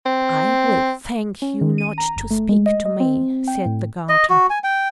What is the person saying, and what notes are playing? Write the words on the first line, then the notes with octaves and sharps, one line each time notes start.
"I will thank you not to speak to me," said the garter.
C4
C#4
D#3
D#7
A#5
G1
A3
G#3
D#5
D#5
C4
G5
A2
D#5
F#4
G#5
G5